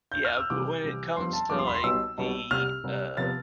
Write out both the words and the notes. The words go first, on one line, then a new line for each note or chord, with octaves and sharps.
Yeah, but when it comes to, like, the, uh,
G6
F6
E6
C2 C3 E3 D6
C2 C3 E3
G2 F3 B3 C6
A5
G2 F3 B3 D6
C6
B5
C6
B1 B2 G3 B3 E6
B1 B2 G3 B3
C2 C3 G3 F6
C2 C3 G3
C3 F3 B3 A6